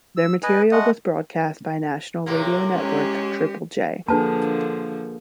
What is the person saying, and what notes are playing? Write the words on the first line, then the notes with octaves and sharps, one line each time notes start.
Their material was broadcast by national radio network, Triple J.
E6
B4 D#5 G#5
G#3 A3 D#5 F#5
A2 C3 A#3
G#3 C#4 G4
D3 F3 A#3 D4 G#4 B4 A5